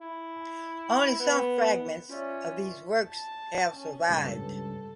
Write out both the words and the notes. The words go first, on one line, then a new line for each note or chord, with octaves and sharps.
Only some fragments of these works have survived.
E4
B3
C#4 F4 D5 E5
A5
C#4
C#2 G2 A4